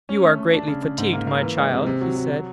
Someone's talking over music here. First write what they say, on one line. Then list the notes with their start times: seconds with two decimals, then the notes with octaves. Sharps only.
"You are greatly fatigued, my child," he said.
0.09 C#4
0.24 A3
0.39 A3
0.53 D4
0.68 C#3
0.83 C#3
0.98 G#2
1.13 A#3
1.27 A#3
1.42 E3
1.58 G#3
1.73 C3
1.86 C3
2.01 F#3
2.16 F#3
2.31 F#3